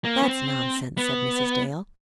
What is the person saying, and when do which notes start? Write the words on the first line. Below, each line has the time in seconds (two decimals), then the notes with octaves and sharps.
"That's nonsense," said Mrs. Dale.
0.05 A#3
0.23 B3
0.28 C4
0.97 B3